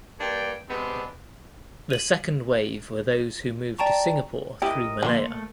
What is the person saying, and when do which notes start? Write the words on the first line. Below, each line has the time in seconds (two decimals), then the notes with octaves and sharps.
The second wave were those who moved to Singapore through Malaya.
0.20 G2 A#3 D4 G5
0.69 C3 G#3 B3 C4 D4
1.90 D#7 F#7
3.78 D5 G5 A5 A#5 C#6
4.62 E4 G4 A#4 D#5
5.03 D3 F3 A#3 C6
5.26 A3